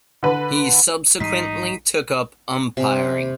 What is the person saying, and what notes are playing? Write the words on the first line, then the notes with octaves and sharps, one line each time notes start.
He subsequently took up umpiring.
D3 B4
G#2 E3 G3 D#4 B6 C7 D#7
C3